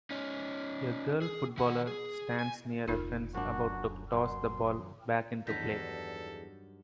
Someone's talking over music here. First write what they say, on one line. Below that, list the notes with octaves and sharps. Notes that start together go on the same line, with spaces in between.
A girl footballer stands near a fence about to toss the ball back into play.
C#4 D#4
G#4
D#3 F#5
G#4
G#5
F1 D2 D#4 F4 A#4
F#2 D4 F#4
F#2 C6
E2 G2 D#3 F#3 A4 G6 A#6 B6